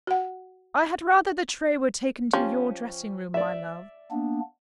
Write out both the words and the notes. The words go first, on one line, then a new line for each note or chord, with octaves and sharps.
"I had rather the tray were taken to your dressing-room, my love."
F#4 F#5
F3 C#4 G4
D5 E5
A#3 B3 D4